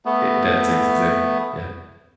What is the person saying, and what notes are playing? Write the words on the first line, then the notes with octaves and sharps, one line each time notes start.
It that's exactly Yeah.
A3 B3